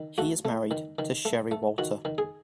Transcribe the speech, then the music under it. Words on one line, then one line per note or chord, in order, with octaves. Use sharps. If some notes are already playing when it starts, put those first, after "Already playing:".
He is married to Sherry Walter.
Already playing: D#3
A3 F#4
A3
D#3
D#3
A3
A3
D#3 F#4
D#3
G#4